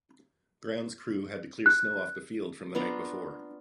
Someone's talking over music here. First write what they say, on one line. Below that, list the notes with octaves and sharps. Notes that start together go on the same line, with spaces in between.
Grounds crew had to clear snow off the field from the night before.
F#6
B3 D4 F4 A#5